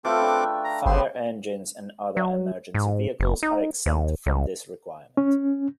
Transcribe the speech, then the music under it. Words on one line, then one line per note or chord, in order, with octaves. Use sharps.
Fire engines and other emergency vehicles are exempt from this requirement.
A3 C4 F4 A4 B4 G5 D6
D4
A#5
G1 G3 B3 G4 C5
F#3
G#2
F#1
D#4
D#2
C#2
C#4